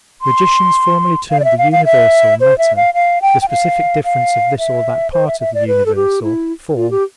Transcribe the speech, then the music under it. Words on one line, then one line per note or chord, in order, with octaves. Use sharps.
Logicians formerly termed the universal, matter, the specific difference of this or that part of the universal, form.
C6
F5
D5
E5
F5
F5
E5
C5
E5
F5
F5
G5
G5
F5
F5
E5
C5
E5
E5
D5
B4
A4
G4
E4
F4
G4